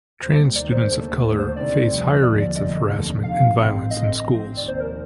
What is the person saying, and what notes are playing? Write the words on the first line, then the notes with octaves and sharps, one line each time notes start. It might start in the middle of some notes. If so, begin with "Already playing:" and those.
Trans students of color face higher rates of harassment and violence in schools.
D2 C3 G3 A#3 C5
D2 C3 D#3 A#3 D5
C5
D#2 D3 A3
D#2 D3 A3
C5
D2 C3 D#3 A3 C4 D5
G1 F2 C3 G3
D#2 D3 F3 D5
D5
F1 F2 D3 F3 A3 D#5
F1 D#2 D3 F3 A3
F1 F2 C3 D#3 A3 F5
A1 G2 D#3 A3 C4
F2 D3 A3 C4 D#5
G1 G2 F3 C4
F1 D#2 D#3 D5
C5
A#4